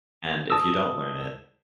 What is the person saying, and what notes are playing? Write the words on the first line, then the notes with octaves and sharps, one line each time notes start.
And if you don't learn it
A5 D#6 E6